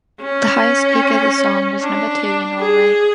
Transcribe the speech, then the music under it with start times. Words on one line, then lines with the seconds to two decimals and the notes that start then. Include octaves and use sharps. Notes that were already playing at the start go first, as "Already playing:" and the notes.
The highest peak of the song was number two in Norway.
0.20 C#4
1.80 D4
2.59 G#4